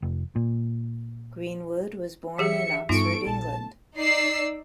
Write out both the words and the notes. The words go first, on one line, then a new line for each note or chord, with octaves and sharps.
Greenwood was born in Oxford, England.
F1
A#2
E3 G4 G#4 E5 C#7
G2 B3 D#4 F4 A4 C#6 D7
A#1 A5
D#4 D5 E6 C7